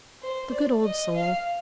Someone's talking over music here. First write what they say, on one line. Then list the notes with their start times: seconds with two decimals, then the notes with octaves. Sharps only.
The good old soul!
0.22 C5
0.52 D5
0.84 D#5
1.15 F5